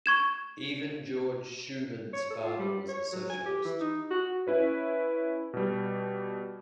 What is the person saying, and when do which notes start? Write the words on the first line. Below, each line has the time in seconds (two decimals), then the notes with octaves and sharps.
Even Georg Schumann's father was a socialist.
0.06 C#6 G#6 E7
2.13 C#5
2.31 A4
2.44 F4
2.59 G3
2.89 C#5
3.13 F#3
3.30 G#5
3.46 G4
3.65 E3
3.81 D#4
4.11 F#4
4.47 C#4 E4 B4 C#5
5.54 B2 G3